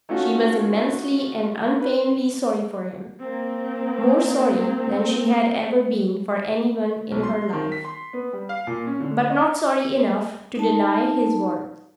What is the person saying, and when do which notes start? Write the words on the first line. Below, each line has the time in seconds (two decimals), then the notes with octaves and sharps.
She was immensely and unfeignedly sorry for him--more sorry than she had ever been for any one in her life, but not sorry enough to deny his words.
0.09 A3 C#4 D#4 F4 F#4
1.80 B4
3.20 A#3 C4
7.12 B1
7.23 C6
7.53 D#3
7.72 B6
7.85 C6
8.13 B3
8.33 G3
8.49 F5
8.67 A#2
8.87 C#4
9.00 D3
9.30 D#5
10.56 D#4 A5